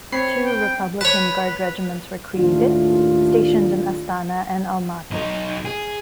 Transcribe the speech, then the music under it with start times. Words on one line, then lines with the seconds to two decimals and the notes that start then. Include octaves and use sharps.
Two Republican Guard regiments were created, stationed in Astana and Almaty.
0.13 C4 C#5 B5 C7
0.45 G5
1.01 B4 C#5 A5
2.34 D#2 A2 D4 F4
5.11 B1 D#4
5.65 G#4